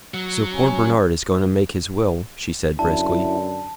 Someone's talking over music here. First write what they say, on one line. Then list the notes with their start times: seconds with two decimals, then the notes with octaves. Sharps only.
"So poor Bernard is going to make his will," she said briskly.
0.14 F#3
0.52 C#4
2.79 F#2 D3 E4 A5